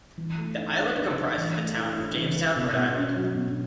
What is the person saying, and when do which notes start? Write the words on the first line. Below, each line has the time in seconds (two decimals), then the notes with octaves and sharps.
The island comprises the town of Jamestown, Rhode Island.
0.18 E3
0.38 A3
0.58 D#4
0.78 D#4
0.98 D#4
1.18 D#4
1.38 E3
1.57 A3
1.77 E4
1.98 E4
2.17 E3
2.36 B4
2.56 B2
2.76 B2
2.97 C#4
3.16 F#3
3.36 B2